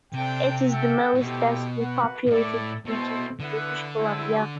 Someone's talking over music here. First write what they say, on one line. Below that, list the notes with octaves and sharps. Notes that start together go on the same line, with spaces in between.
It is the most densely populated region in British Columbia.
C3 D4 A4 C5 G5
F#4 A4 E5 G5
A2
B2 A3 C4 E4 G4
F#4 B4 F#5
B2
A2 E4 A4 D5
B2 A3 C4 E4 A4 C5
D3 B3 E4 B4 F#5
A3 C4 E4